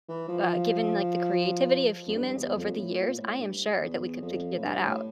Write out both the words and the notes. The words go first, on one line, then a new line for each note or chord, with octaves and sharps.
uh given, like, the creativity of humans over the years, I am sure that we could figure that out.
E3
F3
F2
G2
E2
F2
A#2
A2
A#2
A2
G2
E2
F2
A2
G2
A2